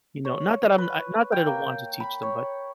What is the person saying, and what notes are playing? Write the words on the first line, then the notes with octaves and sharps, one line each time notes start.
You know, not that I'm I not that I don't want to teach them, but
C#5
B4
G5
A#3
B5
C#5